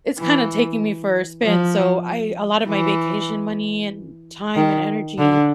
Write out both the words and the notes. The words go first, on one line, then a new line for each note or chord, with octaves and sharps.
it's kinda taking me for a spin, so I a lot of my vacation money, and time, and energy
E3
F3
E3
D#3
D3